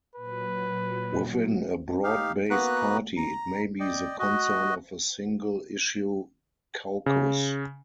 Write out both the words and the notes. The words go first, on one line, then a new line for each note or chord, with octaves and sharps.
Within a broad-based party it may be the concern of a single-issue caucus.
A#2 F#3 B4
D#4 G4 F5
A#3 B3 F#4 B4 A#5 F#6
A#5
D5 D#5 G5
F#4 D#5
C#3